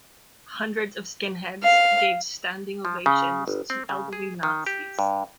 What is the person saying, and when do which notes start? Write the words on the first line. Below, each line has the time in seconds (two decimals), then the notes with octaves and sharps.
Hundreds of skinheads gave standing ovations to elderly Nazis.
1.63 F5
2.85 F3
3.06 C#3
3.48 G1
3.70 C4
3.89 C#3
4.13 G#4
4.43 D#3
4.66 G4
4.99 G2